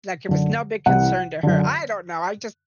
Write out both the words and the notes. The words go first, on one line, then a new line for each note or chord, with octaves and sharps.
like it was no big concern to her, I don't know, I just
F#2 D3
C2 C3 E3 F#5
F#2 D3